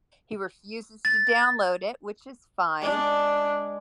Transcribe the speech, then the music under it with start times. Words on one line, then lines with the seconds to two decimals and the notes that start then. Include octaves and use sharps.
He refuses to download it, which is fine,
1.05 A6
2.82 G#3 D4 D5